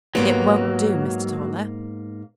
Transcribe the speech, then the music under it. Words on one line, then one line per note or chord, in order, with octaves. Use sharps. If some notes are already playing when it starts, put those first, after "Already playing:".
"It won't do, Mr. Toller!"
G#2 F#3 A#3 B3 G4